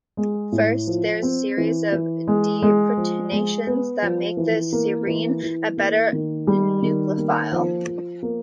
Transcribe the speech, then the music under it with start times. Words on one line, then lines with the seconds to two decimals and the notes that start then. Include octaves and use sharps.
First, there is a series of deprotonations that make the serine a better nucleophile.
0.17 G#3
0.52 A2
0.87 F3
1.23 C4
1.57 E3
1.92 E3
2.28 G#3
2.62 G#3
2.97 F3
3.32 G#3
3.67 B3
4.02 F3
4.37 E3
4.73 A#3
5.07 E3
5.43 E3
5.77 A#3
6.13 D#3
6.47 G3
6.82 D#3
7.17 A#3
7.52 F3
7.87 F3
8.23 A#3